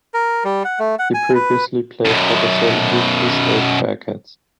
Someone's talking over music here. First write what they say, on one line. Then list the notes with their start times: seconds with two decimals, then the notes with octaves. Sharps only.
He previously played for the Sam Houston State Bearkats.
0.14 A#4
0.44 G3
0.65 F#5
0.79 A3
0.99 F#5
1.14 G#5
1.35 B4
2.05 F#2 B2